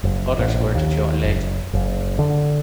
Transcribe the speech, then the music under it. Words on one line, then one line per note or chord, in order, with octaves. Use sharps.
Others were to join later.
F#1
A1
A#1
D#2
F#1
F#1
D3